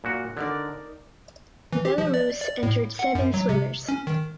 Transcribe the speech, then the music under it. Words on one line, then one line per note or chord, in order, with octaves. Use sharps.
Belarus entered seven swimmers.
A#2 F#4
D3 D#4 A#4 D5
E3
G4
F3
D5
D5
A2
F#5
F#2
F#3
C3
C#4
D#3